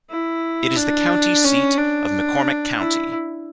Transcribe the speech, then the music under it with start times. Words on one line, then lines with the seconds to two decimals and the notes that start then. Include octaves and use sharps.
It is the county seat of McCormick County.
0.10 E4
0.77 D4
1.44 C#4
1.78 D4
2.78 E4